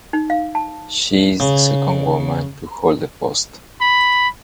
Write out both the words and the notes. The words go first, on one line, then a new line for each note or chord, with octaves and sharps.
She is the second woman to hold the post.
D#4
F5
A5
C#3
B5